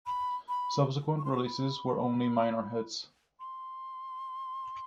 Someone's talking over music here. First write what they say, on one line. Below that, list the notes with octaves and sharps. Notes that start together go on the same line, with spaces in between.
Subsequent releases were only minor hits.
B5
B5
C#6
C6
C#6
B5
C6